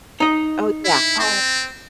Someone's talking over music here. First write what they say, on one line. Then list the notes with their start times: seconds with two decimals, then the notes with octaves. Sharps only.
Oh yeah, oh
0.20 D#4 D#5
0.85 E4
1.19 C4